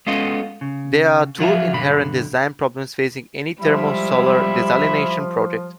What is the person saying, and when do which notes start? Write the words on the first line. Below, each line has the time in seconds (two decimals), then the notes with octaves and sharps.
There are two inherent design problems facing any thermal solar desalination project.
0.07 G#3 B3 C#4 F4 A4 D#5
0.61 C#3
1.39 F3 F#3 F4 E5
1.72 B1 G2 D3 B5
3.61 F3 G3 G#3 E4 E5 B5